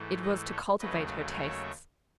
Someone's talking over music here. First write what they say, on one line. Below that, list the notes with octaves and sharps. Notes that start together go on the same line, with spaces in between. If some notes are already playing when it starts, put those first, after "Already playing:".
It was to cultivate her tastes.
Already playing: G#2 E3 A3
B4 D#5
A4 C#5
D#2 C#3 F#3 A3 B4 D#5
C#5 E5